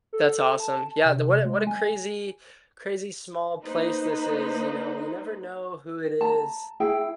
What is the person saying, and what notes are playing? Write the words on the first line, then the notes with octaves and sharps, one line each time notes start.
That's awesome. Yeah, the what a what a crazy crazy small place this is, you know. You never know who it is.
A4
A5
C3
G#3
G#5
A#3 D#4 B4 C5
A5 A#5
E4 G#4 G5